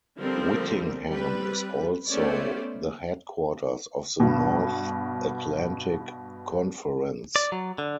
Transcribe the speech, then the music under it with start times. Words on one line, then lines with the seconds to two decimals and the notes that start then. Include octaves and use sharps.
Whitingham is also the headquarters of the North Atlantic Conference.
0.18 D3 F3 G3 C4 A#4
1.08 G3 C4 B4
2.08 A3 B3 C#4 C5 D5
4.20 G2 B2
7.36 D5
7.52 F#3
7.78 D3